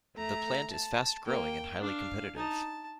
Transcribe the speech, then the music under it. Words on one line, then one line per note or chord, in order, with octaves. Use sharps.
The plant is fast-growing and highly competitive.
A3 A#5
A5
A#3 G5
D4 F5
D#4 A5